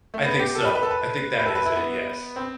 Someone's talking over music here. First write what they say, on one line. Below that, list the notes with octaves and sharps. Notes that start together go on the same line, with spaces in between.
I think so. I think that is it, yes.
A3
B3
G4
A4
B4
B4
A4
B4
B4
A4
B4
E4
B3
C4